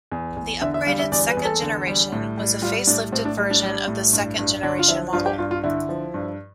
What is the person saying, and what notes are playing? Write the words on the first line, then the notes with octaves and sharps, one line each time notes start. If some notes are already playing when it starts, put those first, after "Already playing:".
The upgraded second generation was a facelifted version of the second generation model.
E2
E2
D3 E5
E5
G3 F5
E5
E2 D5
B4
E2
A4
D3
G3
A2
G3
G3 F4
A2 D4
A2 C4
D4
G3
D4
G3
A2
G2
G2
D3 D4
F4
F3 E4
G2 F4
G4
G2 F4
F4
D3 E4
F3
G2